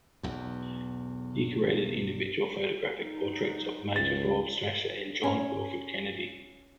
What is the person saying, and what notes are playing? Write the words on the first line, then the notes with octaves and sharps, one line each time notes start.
He created individual photographic portraits of Major Forbes Thrasher and John Wilfred Kennedy.
B1 E2
F#3 D#4
C#2 A6
C#4